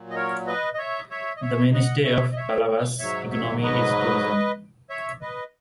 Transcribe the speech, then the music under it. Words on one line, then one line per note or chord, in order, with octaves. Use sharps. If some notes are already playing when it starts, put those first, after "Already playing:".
The mainstay of Palavas' economy is tourism.
Already playing: A#2 F#3
D#5
A#4 C#5
B4 D#5
D#5
C#5 E5
C#5 E5
D#5
C#5 E5
D#5 F#5
C#5 E5
D#5
C#5 E5
G#2 F#3 C#5 E5
C#5 E5
B4 D#5
C#5 E5
B4 D#5